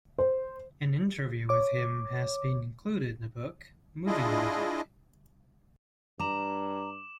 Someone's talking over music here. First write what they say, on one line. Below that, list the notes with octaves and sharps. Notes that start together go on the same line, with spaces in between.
An interview with him has been included in the book "Moving Music".
C5
C#5 D6
D4 E4 F4 G#4 D#5
G2 A#5 D6 E7 F#7